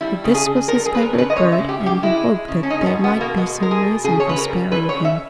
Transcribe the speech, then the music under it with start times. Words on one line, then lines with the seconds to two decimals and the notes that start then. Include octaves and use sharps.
But this was his favorite bird and he hoped that there might be some reason for sparing him.
0.01 G3 E4
0.24 C#3
0.35 G#4
0.46 C#3
0.68 G3 A#4
0.86 G#4
0.91 G3 B4
1.03 A#4
1.13 C#3
1.18 B4
1.30 D#5
1.36 G#3 C#5
1.52 E5
1.58 C#3
1.69 G4
1.80 C#3
1.86 G4
2.03 G#3 E4
2.26 G#3
2.48 C#3
2.63 C#4
2.70 G#3 D#4
2.82 C#4
2.86 B3
2.93 B2
3.04 B3
3.15 B2
3.21 A#3
3.37 G#3 B3
3.60 G#3 A#4
3.71 G#4
3.83 B2
4.04 C#3 G#4
4.20 C#5
4.27 C#3 B4
4.38 A#4
4.49 G3
4.72 E3 B4
4.89 C#5
4.94 C#3
5.05 E5